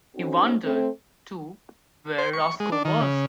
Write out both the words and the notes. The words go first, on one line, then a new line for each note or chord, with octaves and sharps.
He wondered, too, where Roscoe was.
C4 C#4 D#4 F#4 A4 C5
A3 C4
C5
C#6
G#3
D4
D#3
C#3